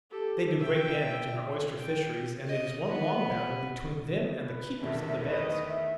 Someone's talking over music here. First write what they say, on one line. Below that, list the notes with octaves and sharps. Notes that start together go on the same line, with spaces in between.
They do great damage in our oyster-fisheries, and it is one long battle between them and the keepers of the "beds."
G4 A4
E5 G5
G5
D#5
B3
B4
E2 D#3 A3 D4 E5
B4 D#5
E5